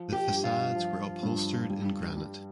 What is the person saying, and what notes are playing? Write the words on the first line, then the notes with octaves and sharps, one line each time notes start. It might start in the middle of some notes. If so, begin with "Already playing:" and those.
The facades were upholstered in granite.
Already playing: F3
G4
G2
F4
F3
G2
G3
G3